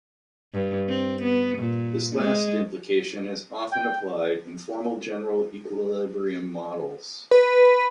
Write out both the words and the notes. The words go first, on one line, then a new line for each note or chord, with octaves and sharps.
This last implication is often applied in formal general equilibrium models.
G2
C4
B3
A#2
G#3
G5
B4